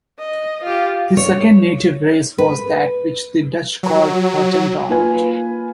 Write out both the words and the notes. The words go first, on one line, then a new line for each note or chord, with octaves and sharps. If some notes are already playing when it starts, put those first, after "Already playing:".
The second native race was that which the Dutch called Hottentot.
D#5
F4 G4
C#5
B4
F#3
A#3 F4 B4 G#5